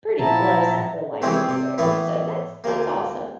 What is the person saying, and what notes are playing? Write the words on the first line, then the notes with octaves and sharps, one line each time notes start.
pretty close, I feel like anywhere so that's that's awesome.
A#2 F3 E4 E5 F#5 A5 A#5
C3 E3 G#3 A3 C4
C3
A2 E3 A3 B3
D2 A#3